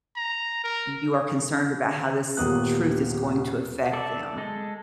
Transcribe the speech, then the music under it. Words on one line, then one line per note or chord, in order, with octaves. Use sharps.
you are concerned about how this truth is going to affect them.
A#5
A#4
D#1 D#2 A#3 B3 D#6 F#6
A4 D5 E5
G#3 A4 D#5